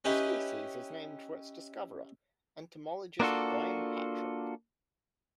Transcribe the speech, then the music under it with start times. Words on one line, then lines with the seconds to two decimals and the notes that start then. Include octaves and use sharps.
The species is named for its discoverer, entomologist Brian Patrick.
0.05 C#4 D#4 E4 G4 B4
3.20 A#3 B3 D4 F4 F#4 A4